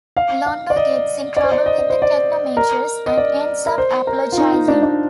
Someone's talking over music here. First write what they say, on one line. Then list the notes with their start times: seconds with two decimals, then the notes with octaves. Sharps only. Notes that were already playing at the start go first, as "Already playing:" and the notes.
Londo gets in trouble with the Technomages and ends up apologizing.
0.17 F5
0.46 F5
0.70 D5
0.76 D#5
1.37 D5
1.44 C5
1.52 D5
1.66 D#5
1.78 D5
1.90 C5
2.02 D5
2.57 A#4
3.06 D#5
3.17 D5
3.66 A#4
3.78 C5
4.07 A#4
4.32 F4
4.38 D#4
4.53 F4
4.68 D4
4.83 D4